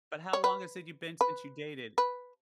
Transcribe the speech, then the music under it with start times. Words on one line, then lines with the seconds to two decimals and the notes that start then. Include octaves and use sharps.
but how long has it you've been since you dated?
0.33 C#5
0.44 B4
1.21 B4
1.98 B4